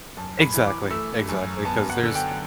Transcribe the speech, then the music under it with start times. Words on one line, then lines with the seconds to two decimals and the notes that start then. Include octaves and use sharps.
Exactly, exactly. 'Cause there's
0.17 F#2 A5
0.41 B5
0.54 E3
0.67 D6
0.90 A3 E6
1.29 F#2
1.65 B3 A5
1.90 F#5
2.03 D3
2.15 G5